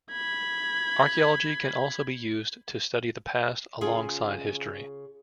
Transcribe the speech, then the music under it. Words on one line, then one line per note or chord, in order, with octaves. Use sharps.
Archaeology can also be used to study the past alongside history.
B5 G#6
C#3 F4 G#4